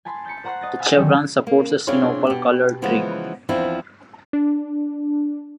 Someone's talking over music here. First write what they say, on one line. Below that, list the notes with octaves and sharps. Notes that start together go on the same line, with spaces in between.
The chevron supports a sinople coloured tree.
G#5 A5 B5 C6
G6 A6 B6 C#7
C5 F#5 A#5 C#6 F#6 C7
D#5 A6 A#6
F5 G#5 B5 E6 F6
D3 D#3 F#3 A4 E5
A#3
C4 D4 E4 F4 G#4 C#5
B2 G4
C#3 E3 F3 G#3 B3 F#4
E2 F3 C4 D4 E4
D4